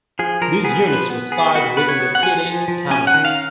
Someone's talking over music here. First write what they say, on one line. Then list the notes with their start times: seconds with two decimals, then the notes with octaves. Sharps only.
These units reside within the city of Hammond.
0.19 F3 G#4
0.41 F3 A#4
0.64 B3 G#4
0.86 F3 B4
1.10 B3
1.32 B3 G#4
1.55 B3 F#4
1.77 B3 B4
1.89 C#5
2.00 B3
2.15 F#5
2.23 F3 G#5
2.45 F3
2.68 F3
2.90 C#4 G#5
3.07 F#5
3.14 D#3
3.25 F5